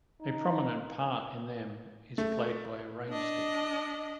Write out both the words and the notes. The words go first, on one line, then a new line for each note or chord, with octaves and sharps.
A prominent part in them is played by a rain-stick.
D#4
A3
D4 D#5